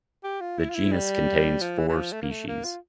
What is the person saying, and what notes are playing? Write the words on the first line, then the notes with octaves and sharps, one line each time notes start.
The genus contains four species.
G4
F4
E4
F4
E4
G3
F3
E3
E3
F3
A3
A#3
A3
A#3
F4